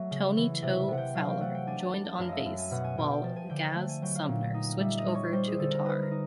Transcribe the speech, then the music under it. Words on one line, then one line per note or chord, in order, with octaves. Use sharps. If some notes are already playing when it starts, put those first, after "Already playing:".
Tony "Toe" Fowler joined on bass, while Gaz Sumner switched over to guitar.
Already playing: F#3 A3 E5
C#3
E3
C3 E5
C3 F#5
G5
F#3 F5
G5
A3 F#5
G5
D4 G#5
A5
D4 A5
A5
F#2 F5
D#5 E5
F#2 E5
G#5
B2 F#5
G#5
B2 G5
G5
F3 A5
G#5
D3 G5
A5
A3
G#5
F#3 G5
F5
A#2
D#4
G3 E5
D#5
G3
C#5
G3 C5
G#4
D3 A4
A#4
D#4 B4
A#4
D#4